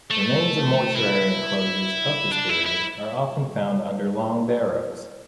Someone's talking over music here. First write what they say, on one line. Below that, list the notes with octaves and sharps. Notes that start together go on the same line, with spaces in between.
Remains of mortuary enclosures of this period are often found under long barrows.
A3
E4
D4
E4
E4